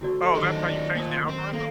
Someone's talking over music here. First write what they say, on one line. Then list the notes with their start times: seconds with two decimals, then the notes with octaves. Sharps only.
Oh, that's how you change the algorithm?
0.01 D3 A3 E4 F#4 C5 D5
0.22 A4 D#5
0.35 D#3 F#3 A3 D#4 G4 D5 A5 C6
0.95 A#2 C5 A5 D#6
1.29 C4
1.53 A#3 F4 A4